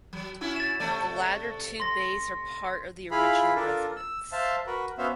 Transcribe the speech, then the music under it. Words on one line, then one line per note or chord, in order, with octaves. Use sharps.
The latter two bays are part of the original residence.
F#3
C#4 E4 F#4
A6 E7
C3 A3 D5
C6 A#6
E4 F4 G#4 F5 B5
D4 F4 A4 A#4
E6
C5 E5 F5 A5
F#4 A#4 B4
B3 C#4 F#4 C5 E5 F5